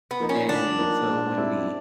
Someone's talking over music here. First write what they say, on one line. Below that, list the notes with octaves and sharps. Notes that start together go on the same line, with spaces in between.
And so, when we
B3
F3 A#3 D#4
C#4
D3 D4
F3 A#3 D#4
A#2
G3 C4 E4